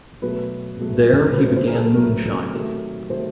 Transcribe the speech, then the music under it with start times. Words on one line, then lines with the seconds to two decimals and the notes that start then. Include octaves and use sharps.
There, he began moonshining.
0.22 B2 F#3 A3 B4
0.80 B2 F#3 A3
1.33 B4
1.37 B2 F#3 A3 C5
1.56 C5
1.68 A#4
1.75 A4
1.94 B2 F#3 A3 A#4
2.52 C3 D#3 F#3 A3
3.09 C3 D#3 F#3 A3 C5